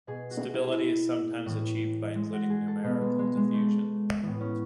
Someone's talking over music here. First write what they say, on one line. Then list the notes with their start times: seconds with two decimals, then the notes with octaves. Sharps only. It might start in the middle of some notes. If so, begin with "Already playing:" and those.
Stability is sometimes achieved by including numerical diffusion.
0.07 B2 G#4
0.31 F#4
0.54 E4
1.46 A2 E3
2.15 G#3
2.33 F#4
2.50 G#4
2.68 A4
2.84 B2 B3
3.01 G#3
3.19 G#3
3.37 G#3
3.54 A3
4.23 A2 E3 B3
4.41 C#4